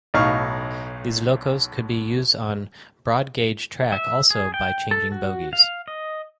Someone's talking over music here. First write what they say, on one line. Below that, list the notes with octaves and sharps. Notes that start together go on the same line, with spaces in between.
These locos could be use on broad gauge track also by changing bogies.
B1 A2 D#4 F5 C#6
E5
G#4
G5
A4
F#4
F5
D#5